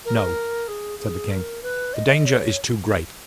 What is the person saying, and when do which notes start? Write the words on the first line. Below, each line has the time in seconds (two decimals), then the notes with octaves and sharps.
'No,' said the King. 'The danger is too great.
0.04 A#4
0.67 G#4
0.98 G#4
1.30 A#4
1.62 B4
1.93 D#5
2.25 C#5